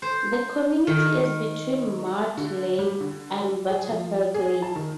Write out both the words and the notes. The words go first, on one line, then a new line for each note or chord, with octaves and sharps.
The community is between Mud Lake and Butterfield Lake.
C5
D#3
D3
G3
D3
G#4
F3
G#4
A5
D#3